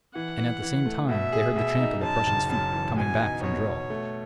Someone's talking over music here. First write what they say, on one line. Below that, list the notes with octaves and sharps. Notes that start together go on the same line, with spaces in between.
And at the same time they heard the tramp of the Prussians' feet, coming back from drill.
E3 F#5
E3
E3
A3
B2 E5
G#4
B2 E5
D#4
F#2 A5
F#1
F#2 A5
E3
B2 G#5
D#4
B2 C#5
B2
A3